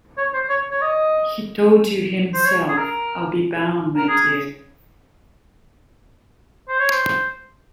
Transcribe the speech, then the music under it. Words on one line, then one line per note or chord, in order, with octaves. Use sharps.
He told you himself, I'll be bound, my dear?
C#5
C5
C#5
C#5
D#5
C5
C#5
G#4
A#4
A#4
G#4
C5
C#5
C5